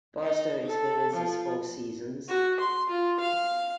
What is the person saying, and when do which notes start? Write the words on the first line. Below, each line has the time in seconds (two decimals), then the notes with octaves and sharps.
Barstow experiences four seasons.
0.24 D#4
0.66 A4
1.14 F3
2.28 F#4
2.60 C6
2.89 F4
3.20 F5